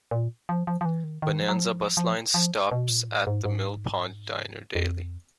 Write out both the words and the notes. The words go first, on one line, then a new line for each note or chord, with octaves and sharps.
Bonanza Bus Lines stops at the Mill Pond Diner daily.
A#2
F3
F3
F3
E3
D#3
D#3
F3
F#3
F3
F#3
F3
F3
F3
B2
A#2
A2
G#2
G#2
F2